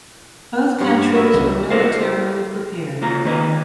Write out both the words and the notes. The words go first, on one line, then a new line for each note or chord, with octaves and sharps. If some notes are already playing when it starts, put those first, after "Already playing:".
Both countries were militarily prepared.
G2 C#5 F5
B3 F#4 A#4 E5
C#2
E4 A4 A#4 C5 F5
C#3 A#3 F4 A#5
D#3 A#3 B4 D#5